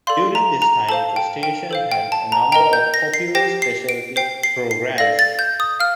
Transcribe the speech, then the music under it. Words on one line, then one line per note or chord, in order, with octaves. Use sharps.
During this time the station had a number of popular specialty programs.
A4 D5 F5 C6
A#5
A#5
A4 C5 F5 A5
G5
G5
A4 C5 F5
G5
A5
A#5
A#4 D#5 G5 A#5
G6
A#6
C7
G4 C5 G5 A#6
C7
D7
C5 G5 C7
C7
C7
A4 D5 F5 A#6
A6
G6
D#6
F5 F6